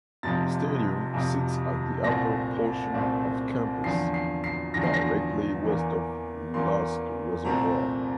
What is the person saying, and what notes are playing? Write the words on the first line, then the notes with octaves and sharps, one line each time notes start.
The stadium sits at the upper portion of campus, directly west of Lusk Reservoir.
F1 F2 C3 F3 A6
F1 F2 C3 F3
C2 A#2 A3 C4 A#6
C2 A#2 A3 C4
E2 D3 F3 C7
C7
C7
E2 D3 F3 A#6
C7
A#6
E2 E3 A#3
E2 E3 A#3 C6
C2 A#2 A3 C4 A#5